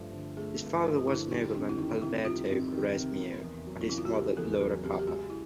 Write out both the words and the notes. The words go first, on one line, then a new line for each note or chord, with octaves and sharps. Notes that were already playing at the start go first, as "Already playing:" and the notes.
His father was the nobleman Alberto Quaresmio and his mother Laura Papa.
Already playing: G2 F3 A3
D3
A3 G#4
G2
F3 A#4
F4
D3 E4
G3 D#4
F2 D4
E4
D#3 D#4
C3 E4
G3 F4
F2
D#3
C3
A#3
E2
F#3
D#4
C#3 E4
F4
F#4
A#3 G4
E2 A4
F#3 G#4
C#3 G4
G4
G#3 F#4
E4